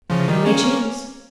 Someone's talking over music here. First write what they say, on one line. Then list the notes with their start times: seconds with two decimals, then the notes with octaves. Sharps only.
Now you may choose.'
0.10 C#3 F3
0.28 D#3 G3
0.46 A#3 C#4